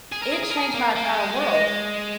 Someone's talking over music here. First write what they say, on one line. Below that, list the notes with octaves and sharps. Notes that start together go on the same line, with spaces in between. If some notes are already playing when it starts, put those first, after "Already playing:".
it changed my entire world.
G#4
A#4
G#4
G#4
A#4
G#4
A#3
A#3
G#3 G#5
D#5